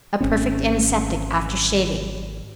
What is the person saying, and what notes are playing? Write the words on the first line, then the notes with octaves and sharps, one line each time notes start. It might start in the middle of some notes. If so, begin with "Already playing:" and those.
A perfect antiseptic after shaving.
G#1 C4 C#4